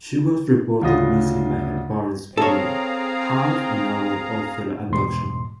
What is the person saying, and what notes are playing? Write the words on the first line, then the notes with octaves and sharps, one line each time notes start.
She was reported missing by her parents within half an hour of her abduction.
D2 C#3 F4 F#4 D#6 A#6
C4 G#4 A4 C#5 F5 A#5
E2 G#2 B2 C6